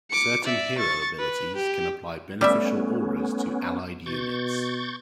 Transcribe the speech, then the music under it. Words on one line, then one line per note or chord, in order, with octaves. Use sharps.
Certain hero abilities can apply beneficial auras to allied units.
D6 C#7
D5 E5
C#6 A6
B4
G4
G3 A3 B3 C#4 G4 E5
B2 C#6 G6 A6